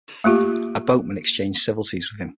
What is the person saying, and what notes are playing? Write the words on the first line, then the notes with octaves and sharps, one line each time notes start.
A boatman exchanged civilities with him.
A3 A#3 F4 G4